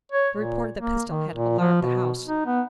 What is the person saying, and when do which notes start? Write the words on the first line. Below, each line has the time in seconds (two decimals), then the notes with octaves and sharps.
The report of the pistol had alarmed the house.
0.12 C#5
0.36 A#2
0.79 A#3
1.09 D#3
1.33 A#2
1.59 F3
1.82 B2
2.27 D#4
2.46 B3